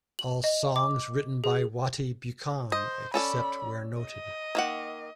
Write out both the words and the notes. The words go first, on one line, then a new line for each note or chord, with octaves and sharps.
All songs written by Wattie Buchan, except where noted.
F#7
D#5
D6
G#4
C5 D#5
C#4 A4 D5 B5
D#5
D#3 A#3 F#5